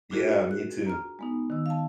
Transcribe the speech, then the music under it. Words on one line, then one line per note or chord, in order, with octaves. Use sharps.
Yeah, me too.
D4 F4 F#4 G#4 A#4
F#6
A#5 F6
G#3 B3 D#4
D#3 E6
F5 A5